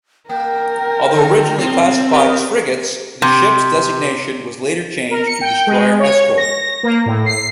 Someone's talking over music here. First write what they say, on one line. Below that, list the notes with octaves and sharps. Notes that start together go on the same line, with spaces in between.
Although originally classified as frigates, the ships' designation was later changed to destroyer escort.
A#3 A#4 G5
D3
B2 C4 F4
B3 G4 A#4
C3
A#4
C#7
G5
G#3
C#5
A#6
A#3
A2
C7